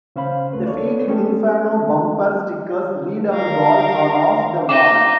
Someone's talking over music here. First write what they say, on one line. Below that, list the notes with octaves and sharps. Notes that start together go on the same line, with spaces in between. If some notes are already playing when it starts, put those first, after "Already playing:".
The Phoenix Inferno bumper stickers read Our Balls Are Off The Wall.
C#3 C#4 C5 F5 B5
D2 A3 B4
A4 C#5 D5
G#3 A3 B3 C#4 G4 A4
A#4 F5
D#4 F4 D6